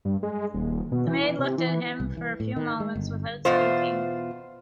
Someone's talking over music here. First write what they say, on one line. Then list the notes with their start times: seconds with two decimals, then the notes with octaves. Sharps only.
The maid looked at him for a few moments without speaking.
0.05 G2
0.23 G#3
0.54 D#1
0.92 B2
1.07 E3
1.38 C3
1.58 E3
2.00 C2
2.17 E3
2.40 A2
2.56 D#3
2.80 G#3
2.95 G1
3.45 E2 B2 F4 C5